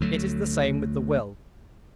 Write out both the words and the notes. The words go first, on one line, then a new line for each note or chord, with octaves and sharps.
It is the same with the will.
D2 F#3 A3